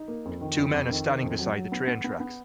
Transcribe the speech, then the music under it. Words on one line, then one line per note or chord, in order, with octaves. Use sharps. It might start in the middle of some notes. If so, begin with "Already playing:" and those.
Two men are standing beside the train tracks.
Already playing: D#4
A#3
F2
D#3
F2
F2
D#3
D#3
F2
F#3
F#3
B3
B3
B3
B3